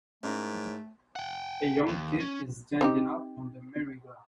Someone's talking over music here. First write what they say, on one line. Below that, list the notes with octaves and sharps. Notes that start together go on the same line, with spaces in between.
A young kid is standing up on the merrygoround.
G#2 A3 C#4 E4 A#4
F#5 G5
D#2
C#4
C4 D#4 G4